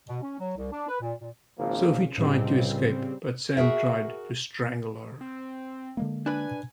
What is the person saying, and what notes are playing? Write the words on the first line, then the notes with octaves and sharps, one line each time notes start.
Sophie tried to escape but Sam tried to strangle her.
B2
C#4
F#3
C2
D4
B4
A#2
A#2
G#1 C#3 F3 A#3
C#2 A2 C#3 G3 C4
F#4 G#4 A#4 E5
C4
D3 G#3 A#3
D4 B4 G#5